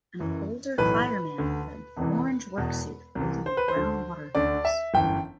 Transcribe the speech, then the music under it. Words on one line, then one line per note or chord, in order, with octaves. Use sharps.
An older fireman with an orange work suit holding a brown water hose.
F#1 F#2 E3
B1 A2 E3 B4
D2 D3
E1 E2 C3 E3
E1 E2 B2
C2 C3 E3
C5
B4
C5
D2 D3
D2 D3 D5
E5
G1 F#2 E3 G5